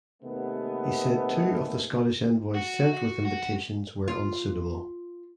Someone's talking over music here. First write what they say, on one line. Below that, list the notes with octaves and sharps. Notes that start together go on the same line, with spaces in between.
He said two of the Scottish envoys sent with invitations were unsuitable.
D#2 C3 G#3 A3 B3
F#4
F#4
F4